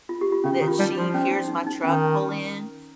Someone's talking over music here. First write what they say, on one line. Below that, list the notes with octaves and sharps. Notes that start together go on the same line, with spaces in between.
that she hears my truck pull in,
F4
G4
F4
C#3 C#4
D#3
F4
G3 D#4
F3
C#4
D#4
D#4
D#4
D#3 C#4